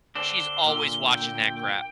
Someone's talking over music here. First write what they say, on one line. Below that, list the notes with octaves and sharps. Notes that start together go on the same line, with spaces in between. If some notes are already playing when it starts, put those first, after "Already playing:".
she's always watching that crap.
D3 C4 D4 G7
A#2 D3
G5